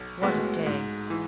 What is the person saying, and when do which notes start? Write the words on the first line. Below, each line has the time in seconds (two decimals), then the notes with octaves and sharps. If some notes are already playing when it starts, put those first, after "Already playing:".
What a day!
Already playing: B1
0.21 A2 G#3 B3 F#4
0.66 G#2
1.10 E3